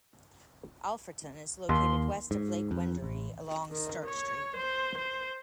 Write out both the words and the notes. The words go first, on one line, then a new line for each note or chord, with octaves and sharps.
Alfredton is located west of Lake Wendouree along Sturt Street.
D#2 C6
G#2
F2
A1
D#3
C#5
C5
C5